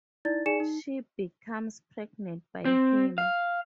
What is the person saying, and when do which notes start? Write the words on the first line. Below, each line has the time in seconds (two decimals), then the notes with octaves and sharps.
She becomes pregnant by him.
0.25 D#4 E4 D5 A6
0.46 D#4 G#4 D5 G#5 C#7 E7
0.60 D#4
2.65 C4
3.18 F5